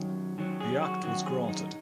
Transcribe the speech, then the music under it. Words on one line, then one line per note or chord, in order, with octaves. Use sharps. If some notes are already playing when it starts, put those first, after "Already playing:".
The Act was granted.
Already playing: F#2 D#3 F#3 A#4
F#2 D#3 F#3
G#4
F#4
F#2 D#3 F#3 F#4
G#4
D#4